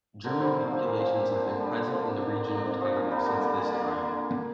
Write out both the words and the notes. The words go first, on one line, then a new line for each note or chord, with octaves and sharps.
German populations have been present in the region of Tyrol since this time.
D3 A#4
G3 C4
C3
F3 A#3
A#2 G4
F3 C4
A#2
A#3 D4
D3
G3 D4
D3
F3 C4
C3 G4
A#3 D4
D3
A#3 D4
C3
F3 D4
A#2 A#4
G3 A#3 D4
D3
G3 A#3 D4
A#2 D5
A#3 D4
D3